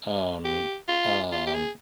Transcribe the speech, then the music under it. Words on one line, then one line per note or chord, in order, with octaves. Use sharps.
Um, um,
G4
F4
F4
G4
G#4